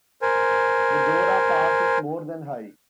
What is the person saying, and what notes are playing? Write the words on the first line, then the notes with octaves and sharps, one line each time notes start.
The Dorah Pass is more than high.
A#4 C5 G#5